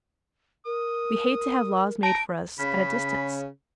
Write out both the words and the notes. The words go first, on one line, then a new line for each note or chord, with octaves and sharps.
We hate to have laws made for us at a distance.
A#4 D#6
A5 A#5 D7
C#3 B5